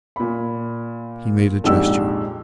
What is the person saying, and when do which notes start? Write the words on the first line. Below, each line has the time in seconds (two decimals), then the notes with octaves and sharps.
He made a gesture.
0.16 A#2 B5
1.64 A#1 F2 G#2 D4 G4 E6